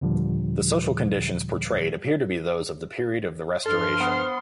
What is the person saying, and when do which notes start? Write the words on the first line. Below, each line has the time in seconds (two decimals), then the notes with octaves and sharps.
The social conditions portrayed appear to be those of the period of the Restoration.
0.01 D#2 A#2 D3 F3 G3
3.66 G2 F3 A4 C6 F6
4.00 B3 C5